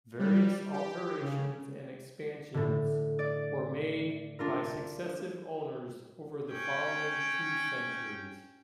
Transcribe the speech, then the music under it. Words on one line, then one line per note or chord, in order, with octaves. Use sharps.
Various alterations and expansions were made by successive owners over the following two centuries.
G3
G4
C#3
A2 D3
D5
D4 F4 A#4
C#4 G5